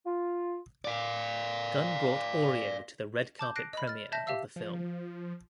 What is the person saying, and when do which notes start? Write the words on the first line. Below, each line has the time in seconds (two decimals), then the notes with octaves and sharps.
Gunn brought Oreo to the red carpet premiere of the film.
0.06 F4
0.85 D5 F5
3.39 A5 D6 G6
3.56 F#6 A#6 C7 D7
3.73 D#5 B5
3.87 F6 A6
4.12 E5 A5 G6 A#6
4.27 G4 E5 F5 E6
4.56 F3